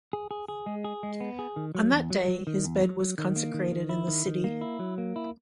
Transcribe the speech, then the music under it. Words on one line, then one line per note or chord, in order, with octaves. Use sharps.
On that day, his bed was consecrated in the city.
G#4
G#4
G#4
G#3
G#4
G#3
B3
G#4
D#3
F#3
E2
F#3
F#3
D#3
E2
F#3
F#3
D#3
A#3
D#3
D#3
E4
D#3
D#3
A#3
E4
F#3
A#3
E4